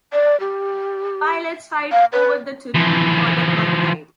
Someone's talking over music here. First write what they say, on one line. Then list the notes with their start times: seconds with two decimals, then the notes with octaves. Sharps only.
Pilots fight over the Turini for the third time.
0.13 D5
0.40 G4
1.92 F5
2.13 B4
2.74 E3 F3